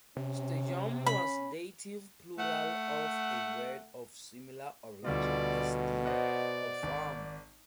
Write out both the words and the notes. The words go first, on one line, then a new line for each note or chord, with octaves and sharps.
"Stadhum" was dative plural of a word of similar origin as stead, or farm.
C3 C#4
C#4 B5
A3 F#5
D2 B2 G3 F4 D5
C5 D5 D#5 F#5
G#1